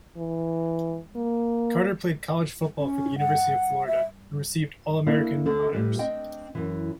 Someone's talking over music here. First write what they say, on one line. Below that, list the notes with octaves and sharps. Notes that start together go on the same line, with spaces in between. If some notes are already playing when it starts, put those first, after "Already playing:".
Carter played college football for the University of Florida, and received All-American honors.
E3
A#3
C#4
F#5
E5
A#3 D4 E4
D2 D3 A4
A2 G3 B4
C4 D4 D#5 G5
F#2 E3